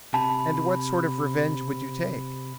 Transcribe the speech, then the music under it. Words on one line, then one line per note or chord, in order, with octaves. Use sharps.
"And what sort of revenge would you take?"
C3 A5 B5